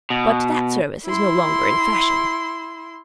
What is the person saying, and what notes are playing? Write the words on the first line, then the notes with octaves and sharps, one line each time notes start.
But that service is no longer in fashion.
B2
E4 C6